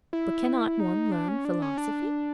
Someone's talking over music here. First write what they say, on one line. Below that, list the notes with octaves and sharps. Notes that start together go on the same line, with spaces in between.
"But cannot one learn philosophy?"
E4
D#4
D4
C#4
D4
C#4
D4